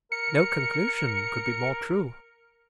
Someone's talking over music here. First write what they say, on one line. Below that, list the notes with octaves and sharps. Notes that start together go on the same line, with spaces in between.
No conclusion could be more true.'
A#4 C#7